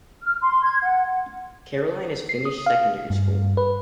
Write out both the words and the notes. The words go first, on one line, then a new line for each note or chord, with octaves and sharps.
Caroline is finished secondary school.
F6
C6
G#6
F#5
C7
D#6
F5
G2
B4